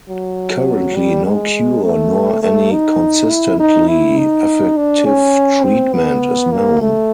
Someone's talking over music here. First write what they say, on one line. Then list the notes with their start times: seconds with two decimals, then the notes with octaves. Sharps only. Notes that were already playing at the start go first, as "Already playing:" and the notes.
Currently no cure nor any consistently effective treatment is known.
0.09 F#3
0.96 G3
1.26 G#3
1.85 A3
2.43 A3
2.72 D#4
3.30 E4
3.60 D#4
3.88 E4
4.18 D#4
4.77 D4
5.05 C#4
5.64 C4
5.94 B3
6.52 A#3
6.80 A3